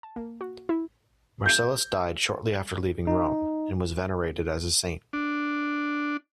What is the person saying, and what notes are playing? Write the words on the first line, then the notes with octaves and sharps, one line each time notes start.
Marcellus died shortly after leaving Rome, and was venerated as a saint.
A5
A#3
F#4
E4
G6
D#4
D4